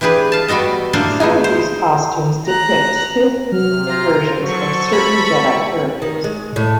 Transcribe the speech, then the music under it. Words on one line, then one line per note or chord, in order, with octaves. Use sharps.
Some of these costumes depict Sith versions of certain Jedi characters.
E3 D4 G4 G#4 B4
F5 A5
G3 B3 F#4 A4 D#5
A2 A#3 D4 A4 C5 F5
A3 B3 D#4 G#4
C5
A#5 F#6
C3 F#3 F6
F4 C5 A#5
F#3 A4 C#6
B5
D#3
G#3
A2